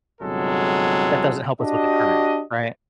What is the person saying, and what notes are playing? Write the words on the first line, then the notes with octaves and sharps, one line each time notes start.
that doesn't help us with the current, right?
G1 C3 F#3 G#3 A4
D4 F#4 G4 D#5